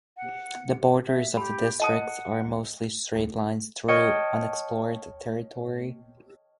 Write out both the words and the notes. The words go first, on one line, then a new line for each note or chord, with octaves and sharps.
The borders of the district are mostly straight lines through unexplored territory.
F#5
E5
G4 B5
D#5 F#5 A5 D#6
C#5 D#5 G5 A5 C#6 F6